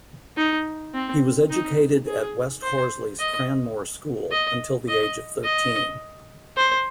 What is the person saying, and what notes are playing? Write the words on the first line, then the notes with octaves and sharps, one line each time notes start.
He was educated at West Horsley's Cranmore School, until the age of thirteen.
D#4
C4
D#4
G#4
C5
D#5
D#5
D#5
D#5
C5